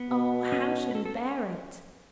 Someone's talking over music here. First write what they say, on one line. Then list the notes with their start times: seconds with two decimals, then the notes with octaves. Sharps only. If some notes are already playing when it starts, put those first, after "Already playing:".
Oh! how should he bear it?
Already playing: B3
0.09 B2
0.52 C#4
0.91 B4
0.95 A4
1.05 A4